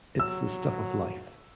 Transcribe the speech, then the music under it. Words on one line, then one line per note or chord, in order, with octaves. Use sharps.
It's the stuff of life.
F#3 E6